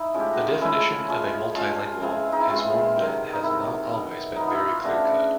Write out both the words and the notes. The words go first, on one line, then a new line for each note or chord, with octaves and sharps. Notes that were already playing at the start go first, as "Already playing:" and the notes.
The definition of a multilingual is one that has not always been very clear-cut.
Already playing: D#4 E4
A2 F3 G#3 C#4
G4
F#4
F4
A2 F3 G#3 C#4 E4
F3 G#3 C#4
F3 G#3 C#4 F4
C#3 E3 G#3 C4
D#4
E4
C#3 E3 G#3 C4 F4
C3 D#3 F#3
D#4
C3 D#3 F#3 E4
B2 F#3 B3
B2 F#3 B3 D#4
F4
E4
F4
C#3 E3 A3 D4 F#4